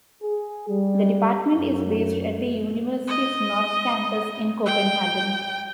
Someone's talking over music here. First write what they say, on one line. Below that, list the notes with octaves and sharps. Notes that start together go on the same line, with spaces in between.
The department is based at the university's North Campus in Copenhagen.
G#4
G3
F#2
D#5
G5